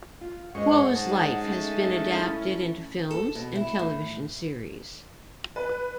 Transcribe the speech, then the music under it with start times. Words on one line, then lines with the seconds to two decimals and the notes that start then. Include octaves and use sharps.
Huo's life has been adapted into films and television series.
0.21 F4
0.55 G#2 G#3 C#4 C5 D#5 F#5 C#6
0.94 G#3 D#4 A5
1.46 A3 C#4
1.80 E5
2.13 E4
3.11 A4
3.35 B2
3.56 E4
3.79 A2
5.56 B4